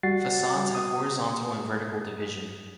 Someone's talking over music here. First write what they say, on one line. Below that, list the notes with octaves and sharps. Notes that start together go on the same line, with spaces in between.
Facades have horizontal and vertical division.
G3 F#4 F#5 A6 C7
D#6